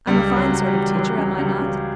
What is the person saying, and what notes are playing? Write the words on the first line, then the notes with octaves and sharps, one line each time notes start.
I'm a fine sort of teacher, am I not?
C#2 G3
C#2
F#3
C#2
G3
E3
E3 F#3
C#2
C#2 G3
C#3